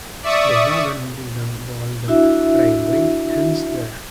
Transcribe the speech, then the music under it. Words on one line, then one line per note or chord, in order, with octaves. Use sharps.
The Wabern–Brilon Wald railway ends there.
D5 E5 C#6 D#6
D4 E4 F#4 E5